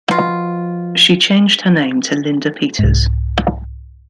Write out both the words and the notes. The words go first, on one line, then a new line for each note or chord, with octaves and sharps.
She changed her name to Linda Peters.
B2 F3 F4
C2 G#2